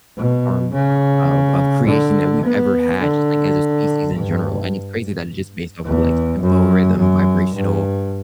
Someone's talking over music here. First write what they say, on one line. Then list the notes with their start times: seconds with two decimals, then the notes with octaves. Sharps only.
form of of creation that we've ever had, just like as a species in general, and it's crazy that it's just based off of like tempo, rhythm, vibrational,
0.16 B2
0.73 C#3
1.86 D3
2.44 B3
3.00 D3
4.14 G2
5.85 E2
6.42 F#2
6.98 F#2
7.55 G2